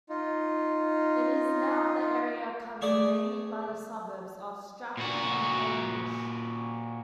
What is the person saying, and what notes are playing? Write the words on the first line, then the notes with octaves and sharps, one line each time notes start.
It is now the area covered mainly by the suburbs of Strathfield and Homebush.
D#4 F4
A3 G#4 D5
A#2 F#4